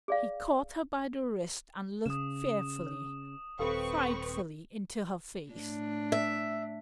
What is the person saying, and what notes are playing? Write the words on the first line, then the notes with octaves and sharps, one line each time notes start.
He caught her by the wrist and looked fearfully, frightfully, into her face.
G#4 D5 F5
C#3 D#6 E7
C#5
D#1 C4 G4 A4 B4 F5 C#6
A2 D4
E5